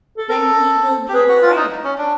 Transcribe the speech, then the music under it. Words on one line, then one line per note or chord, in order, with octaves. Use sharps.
Then he will be afraid!
A4
A4 A#4
G4
G#4 B4
F#4
F4
D#4
C#4
D4